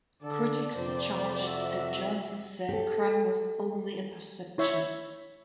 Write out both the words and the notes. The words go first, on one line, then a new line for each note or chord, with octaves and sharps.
Critics charged that Johnson said crime was only a perception.
D3 A4 D5
F2 C3 C5 D5
F#4 E5
G4 A4
E4 C#5 E5